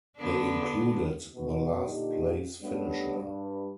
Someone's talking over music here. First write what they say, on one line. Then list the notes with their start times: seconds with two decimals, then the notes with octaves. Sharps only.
They included the last place finisher.
0.17 D3 B3 D4
1.35 B2
1.86 A#2 D3 G3 D#4 G4
2.61 G3 A3 B3 C#4 D4 G4
3.18 G2